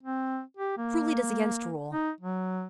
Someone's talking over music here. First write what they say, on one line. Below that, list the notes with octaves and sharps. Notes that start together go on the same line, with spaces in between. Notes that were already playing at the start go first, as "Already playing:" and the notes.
Truly it is against rule.
C4
G4
A#3
D#4
F#3